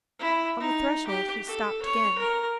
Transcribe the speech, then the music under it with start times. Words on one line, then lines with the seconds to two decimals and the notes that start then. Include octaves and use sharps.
On the threshold he stopped again.
0.19 E4
0.60 D#4
1.07 G4
1.46 A4
1.82 C#5
2.19 A#4